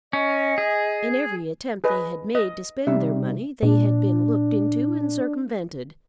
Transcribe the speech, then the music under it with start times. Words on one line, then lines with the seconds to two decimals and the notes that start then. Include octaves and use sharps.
In every attempt they had made to spend their money they had been looked into and circumvented.
0.13 C#4 D#5
0.58 G#4
1.84 G#4 B4 D#5
2.35 D#5
2.87 C3 G3 D#4 E5
3.63 A#2 D4